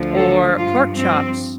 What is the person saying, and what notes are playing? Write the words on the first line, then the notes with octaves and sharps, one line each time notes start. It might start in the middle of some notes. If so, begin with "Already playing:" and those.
or pork chops.
Already playing: D2 D3 F3
A4
G2 F3 F4
C4